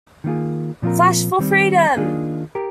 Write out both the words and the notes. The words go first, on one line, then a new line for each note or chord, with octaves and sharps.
Flash For Freedom!
D#3 A#3 F4 G#4
A#2 F3 C4 F4 A#4
D#3 G3 C4
D#3 A#3 D4 F4 G#4
G4 A#4